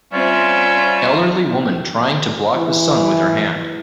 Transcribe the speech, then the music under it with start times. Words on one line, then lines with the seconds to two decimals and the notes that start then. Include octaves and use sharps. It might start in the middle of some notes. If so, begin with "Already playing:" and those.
Elderly woman trying to block the sun with her hand.
0.13 G3 C4 C#4 F4 E5
2.57 E3